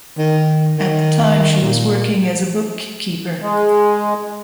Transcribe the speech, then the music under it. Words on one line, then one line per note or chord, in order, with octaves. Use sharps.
At the time she was working as a bookkeeper.
D#3
D#3
A#2
G#3